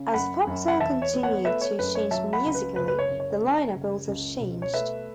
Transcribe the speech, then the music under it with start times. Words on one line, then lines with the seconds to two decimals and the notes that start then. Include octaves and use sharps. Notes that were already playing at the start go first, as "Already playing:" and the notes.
As Foxhole continued to change musically, the lineup also changed.
Already playing: C#3
0.14 F#2 F#5 B5
0.47 F#2
0.68 F#5
0.79 E2 E5 A5
1.02 C#5
1.13 B3
1.23 C#5 F#5
1.45 A3 B4 E5
1.61 C#5
1.79 F#2 B4
1.95 C#5
2.11 F#3 E5 A5
2.33 F#5 B5
2.44 C#2
2.55 B4
2.76 F#1 B4
2.88 B4
2.99 C#5
3.10 F#1
3.20 C#5
3.42 F#1
3.75 F#1
4.07 C#2
4.40 B2
4.62 C#5
4.74 A3 B4 E5